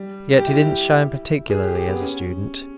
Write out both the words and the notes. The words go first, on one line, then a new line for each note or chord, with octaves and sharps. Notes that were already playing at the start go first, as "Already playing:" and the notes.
Yet he didn't shine particularly as a student.
Already playing: G3
G4
E4
G#4
G4
G4
B3
C#4